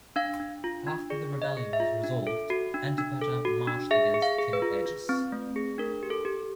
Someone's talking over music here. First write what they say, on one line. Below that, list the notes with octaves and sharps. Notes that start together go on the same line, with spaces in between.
After the rebellion was resolved, Antipater marched against King Agis.
D4 F5
D4
F4
D4
G#4 D5
G#4
D#5
G#4
E5
F4
D4
A4
F#4
D4
D4
A4
F#4
D4
G#4 E5
G#4
F5
G#4
B4
F4
F4
C4
A3
G#4
D4 A#4
G4
A4
G4